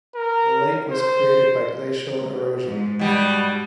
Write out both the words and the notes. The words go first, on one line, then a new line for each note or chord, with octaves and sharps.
The lake was created by glacial erosion.
A#4
C5
G#2
B2 G3